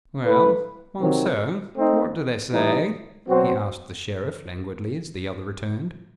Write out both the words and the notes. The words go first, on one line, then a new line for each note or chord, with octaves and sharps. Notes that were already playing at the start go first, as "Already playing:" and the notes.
"Well, Monceux, what do they say?" he asked the Sheriff, languidly, as the other returned.
A3 E4 B4
C3 D#3 F#3 C4
A3 C4 D#4
E3 G3 D#4
B2 F#3 C4 F#4 C5